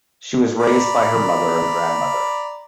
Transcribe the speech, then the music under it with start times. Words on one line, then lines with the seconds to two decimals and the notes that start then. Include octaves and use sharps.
She was raised by her mother and grandmother.
0.60 D5 A#5 B5